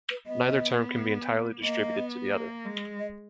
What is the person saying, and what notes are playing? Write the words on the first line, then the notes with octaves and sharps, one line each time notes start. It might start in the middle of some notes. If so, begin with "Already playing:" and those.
Neither term can be entirely distributed to the other.
B4
B3 D#5
A#3 D#5
B3
A#3
G#3
D#5